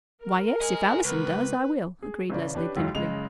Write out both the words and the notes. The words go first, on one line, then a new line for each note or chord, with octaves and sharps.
"Why, yes, if Allison does, I will," agreed Leslie, dimpling.
A#4
D#5 G#5
C#2 B4
G#4
A1 C#3 D5
C#4 D4 G4 B4
F#1 D#2 F#3 G#3
F#1 C#3 G#3 D#5 F7